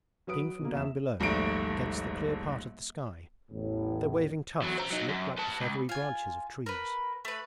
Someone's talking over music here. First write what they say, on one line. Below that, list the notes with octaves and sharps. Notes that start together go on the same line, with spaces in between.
Seen from down below, against the clear part of the sky, their waving tufts looked like the feathery branches of trees.
F#3 B4 D#6 D7
B2 D3 A#3
E2 E5 E7
D#1 A#1 G#2 A3 D7
A1 E2 A2
E2 F#3
C5 A#5
F#3 D#4
F#2
B4 A5
C#2
F4 G#5
A#4 B4
A3 B4